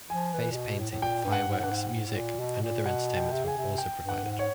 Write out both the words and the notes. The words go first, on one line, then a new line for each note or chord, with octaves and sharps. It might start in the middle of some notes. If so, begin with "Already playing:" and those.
Face painting, fireworks, music, and other entertainments were also provided.
F3 G#5
E3
A#2
B2
A2
A2
A#2 G5
G2
F#5
G#2
G2 F#5
G#2
G#2
A2
A#2
B2
A#2
B2 F#5
G5
C3
C#3 G#5
C3
G5
G2
F#5
G#2
C#5